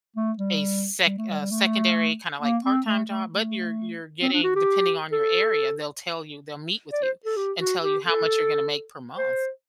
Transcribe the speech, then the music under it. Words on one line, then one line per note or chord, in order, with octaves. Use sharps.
a sec a secondary kinda, like, part-time job, but you're you're getting depending on your area, they'll tell you they'll meet with you and tell you how much you're gonna make per month.
A3
G3
G3
A3
G3
G3
A3
A#3
C4
A3
A3
A3
C4
D4
F#4
G4
A4
D5
C5
A4
G4
F#4
G4
A4
C5